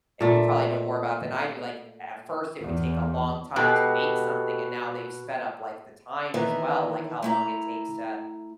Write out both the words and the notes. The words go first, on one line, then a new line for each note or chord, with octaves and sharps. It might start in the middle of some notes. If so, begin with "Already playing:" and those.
and you probably know more about than I do like, a at first, it would take a long time to make something, and now they've sped up, like, the time as well, like, how long it takes to
A#2 A3
E2
B2 G4 A4 D#5
D#3 E3 B3 A#4 E5
A3 E4 A#5